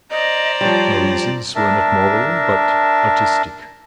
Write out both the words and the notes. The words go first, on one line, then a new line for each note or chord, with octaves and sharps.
My reasons were not moral but artistic.
C5 D5 D#5 A#5
F3 G3 C#5
D4 A#4 E5 A5